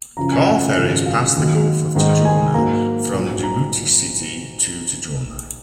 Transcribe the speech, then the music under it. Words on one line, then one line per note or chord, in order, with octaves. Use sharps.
Car ferries pass the Gulf of Tadjoura from Djibouti City to Tadjoura.
F#2 C#3 F3 A#5
G#5
F#5
G#1 F#2 C#3 F3 G#3
F5
D#2 D#3 F#3
G#2 D#3 G#3 D#4
G#5
G#2 F#3 A#3 A#5
A#1 G#2 F#3
A#5